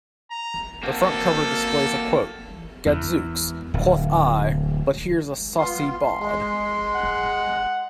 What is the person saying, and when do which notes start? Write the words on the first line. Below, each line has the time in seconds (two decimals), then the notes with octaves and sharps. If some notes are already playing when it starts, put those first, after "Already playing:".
The front cover displays a quote: "'Gadzooks,' quoth I, 'but here's a saucy bawd!'".
0.31 A#5
0.83 A#3 C4 F#4 A4
2.86 E2
3.74 D1
5.59 B3 F4 C6
6.20 G#3
6.95 F#5